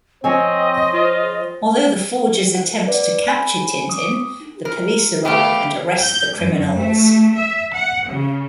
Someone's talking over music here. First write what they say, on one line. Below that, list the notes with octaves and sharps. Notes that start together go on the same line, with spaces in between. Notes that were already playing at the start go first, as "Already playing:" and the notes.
Although the forgers attempt to capture Tintin, the police arrive and arrest the criminals.
F3 C4 C5 C#5 D#5 G#5
F4
F#5
B4 D5
G#5 B5
D6 D#6
A#4
A3 B3 G4 B4 F5
G6
F#2
A3
E5
F#5
C#3